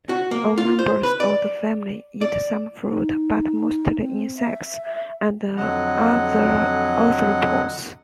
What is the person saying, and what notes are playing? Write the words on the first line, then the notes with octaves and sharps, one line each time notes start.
All members of the family eat some fruit but mostly insects and other arthropods.
F#4
A#3
F4
C5
B4
D5
D5
D#4
C4
E5
F2 D3 F#3 D#5 F#5